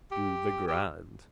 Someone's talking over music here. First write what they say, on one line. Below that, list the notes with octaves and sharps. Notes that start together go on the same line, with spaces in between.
Do the grand.
G4
G4